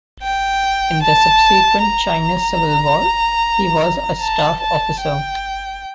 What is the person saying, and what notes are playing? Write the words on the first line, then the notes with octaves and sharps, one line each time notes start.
In the subsequent Chinese Civil War he was a staff officer.
G5
A5
A#5
A5
A5
G5